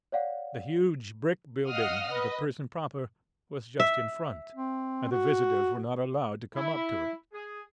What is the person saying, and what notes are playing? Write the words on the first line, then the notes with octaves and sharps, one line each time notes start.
The huge brick building, the prison proper, was just in front, and the visitors were not allowed to come up to it.
C#5 D5 F5 F#5
D#5 F5 F#5 D#6 F6
B4 D#5
E5
C4
F#4
E4
G#4